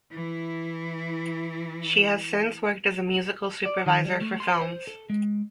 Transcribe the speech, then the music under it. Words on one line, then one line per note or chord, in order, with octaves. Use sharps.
She has since worked as a musical supervisor for films.
E3 E4
D5
D#3
G3
A3
C6
C5
A4
G#3